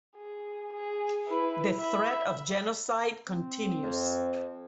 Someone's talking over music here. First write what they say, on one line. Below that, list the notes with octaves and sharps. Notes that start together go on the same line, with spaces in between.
The threat of genocide continues.
G#4
G#4
E4 B4
E5 B5
C4
F2